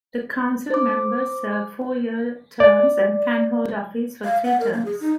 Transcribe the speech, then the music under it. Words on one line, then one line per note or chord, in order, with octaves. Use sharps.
The council members serve four year terms and can hold office for three terms.
C5 D6
D5
F5
F#5
A#4
A#3
G#4
D#4